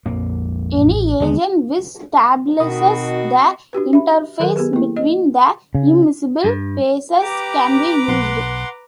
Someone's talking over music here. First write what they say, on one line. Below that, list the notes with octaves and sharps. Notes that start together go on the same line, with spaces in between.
Any agent which stabilizes the interface between the immiscible phases can be used.
A#1 F2 A#3
A1
D#2 D3 G#3 A3 B3
B2 D#3 C4 F#4 D#5 B5 D#6
D4 F#4 G4 B4
E5 B5
D#3 F#3 A4 A#4
B3 G4 G#4 B4
A#3 E4
D#5
C#3
G2
G4 B4 A#5 D6
B1 F#5 C6